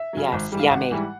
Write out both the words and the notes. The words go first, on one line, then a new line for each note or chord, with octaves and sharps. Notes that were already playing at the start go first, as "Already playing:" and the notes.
Yes, yummy.
Already playing: E5
C#3 F#3
G#1
G#2 E3 G3
F5
G#1 F#5
G#2 E3 G3